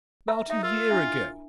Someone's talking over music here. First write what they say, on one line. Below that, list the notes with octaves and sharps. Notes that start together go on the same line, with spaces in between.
"About a year ago."
B4 E5 A#5
D#4 E5
F4 A#4
D4 E4 E5